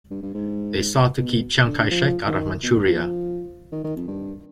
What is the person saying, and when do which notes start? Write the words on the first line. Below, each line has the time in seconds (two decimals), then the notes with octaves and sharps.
They sought to keep Chiang Kai-shek out of Manchuria.
0.11 G2
0.22 G2
0.34 G#2
1.19 B2
1.67 D3
1.79 D3
1.91 F3
2.27 D#3
2.63 B2
2.76 D3
2.87 F3
3.72 D#3
3.84 D#3
3.96 F2
4.08 G2